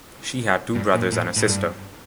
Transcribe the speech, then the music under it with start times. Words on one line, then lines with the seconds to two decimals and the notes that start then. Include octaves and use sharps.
She had two brothers and a sister.
0.75 G2
0.94 A#2
1.12 A2
1.36 A2
1.48 G2